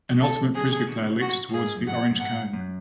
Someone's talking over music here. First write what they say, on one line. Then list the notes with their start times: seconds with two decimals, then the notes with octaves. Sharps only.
An Ultimate Frisbee player leaps toward the orange cone.
0.10 B2 D3
0.21 A4
0.55 D3 F#3 G#4
0.65 B2 D3
0.77 A2 C#3
0.87 B2 D3
0.99 B2 D3
1.10 A2 C#3
1.21 A2 F#4
1.32 G#2
1.49 A2
1.54 G#2 G#4
1.65 G#2
1.76 F#2
1.87 G#2 F#5
2.10 F#2
2.20 G#2 F#5
2.53 F#2